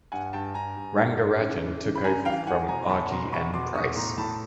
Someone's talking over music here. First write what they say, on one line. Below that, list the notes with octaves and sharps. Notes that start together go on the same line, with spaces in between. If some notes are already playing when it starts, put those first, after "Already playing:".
Rangarajan took over from R G N Price.
G2 F#5 G#5
G2 G5 A5
G2 G#5 A#5
G2
G2
G2
C#3
E3
C#3
B5
C#3 G#5 A#5
E3 F5 G5
E3 F#5 G#5
B2 G#5 A#5
E2 A5 B5
B2 A#5 C6
E2 B5 C#6
B2 C6 D6
E2 C#6 D#6
A2 A#5 C6
A2 A5 B5